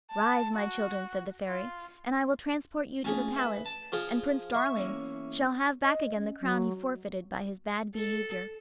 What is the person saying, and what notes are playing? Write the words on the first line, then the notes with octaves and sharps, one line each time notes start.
"Rise, my children," said the Fairy, "and I will transport you to the palace, and Prince Darling shall have back again the crown he forfeited by his bad behavior."
A5
F#4
F4
A3 C#4 F4 G#4 G#5 A5
B4 E5
A5
F3 F4 G#4
E5 C#6
E2 A#3 C#4
D#5
C#4
F#3
A4